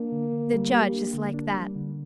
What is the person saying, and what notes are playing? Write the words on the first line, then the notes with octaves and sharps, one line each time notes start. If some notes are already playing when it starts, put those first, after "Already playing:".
The judge is like that.
Already playing: A#3 D4
D3
D3
G3
G4
D4
D3
D4
G3
D3